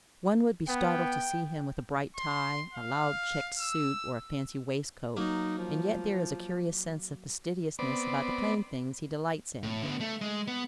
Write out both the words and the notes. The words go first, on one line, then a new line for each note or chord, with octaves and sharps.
One would be startled to see him with a bright tie, a loud checked suit, or a fancy waistcoat, and yet there is a curious sense of fastidiousness about the plain things he delights in.
B3 G5
C6
F5
E6
F#3 A#3 D#4
F3
B3 C4 D5
A2
D3 B3
A3
G#3
B3